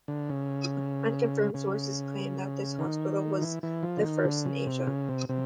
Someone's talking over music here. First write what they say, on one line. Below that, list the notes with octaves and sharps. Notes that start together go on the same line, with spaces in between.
Unconfirmed sources claim that this hospital was the first in Asia.
D3
C#3
C#3
D#3
E3
E3
F3
D3
D#3
D3
C#3
C3
C#3
C3
C3